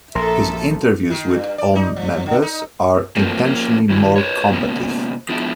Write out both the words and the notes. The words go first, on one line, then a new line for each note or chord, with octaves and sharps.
His interviews with Aum members are intentionally more combative.
A#1 A4 A#4 E5 C6
D#3
G2
D5
D#4
F3
F3
D3
D#4
C3 F3 F#3 A3 A#3 C4
F3 A#3 C#4
G#2 D#3 E4 F#4
A#4 B4 C#5
C3 G#3 A#3 B3 C#4
F3 G#3 B3 D4 E4